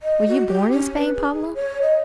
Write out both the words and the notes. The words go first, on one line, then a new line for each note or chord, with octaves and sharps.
"Were you born in Spain, Pablo?"
D#5
F#4
G4
C#4
B4
G#4
C#5
D#5